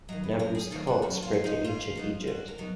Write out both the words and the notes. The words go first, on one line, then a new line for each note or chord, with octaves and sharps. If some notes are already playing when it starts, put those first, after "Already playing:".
Nabu's cult spread to ancient Egypt.
D#3 F#3 D#5
B4
F#2 A#4
G#4
D#3 F#3 F4
F#4
F#2 F#4
F4
F#3
D#3
D#4
G#2 F4
F#3 B3 D#4
G#2 F#4
A#4
F#3 B3 D#4